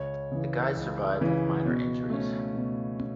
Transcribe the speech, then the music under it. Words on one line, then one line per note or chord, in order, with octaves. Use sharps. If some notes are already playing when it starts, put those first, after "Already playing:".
The guide survived with minor injuries.
Already playing: C#2 C#5
C#3 E3
C#2
C#3 E3
B2
A3 C#4
B2
C#4